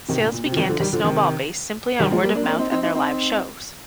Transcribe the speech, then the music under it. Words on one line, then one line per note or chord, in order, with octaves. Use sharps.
Sales began to snowball based simply on word of mouth and their live shows.
C3 D#3
A#2 D3
A#2
C3
F3
C3 D#3
D3 F3
D#3 G3
D3 F3
C3 D#3
D#3 G3
F3 G#3
G3 A#3
A#3 D4
C4
A#3 D4
C4 D#4
C4 D#4
C4 D#4
C4 D#4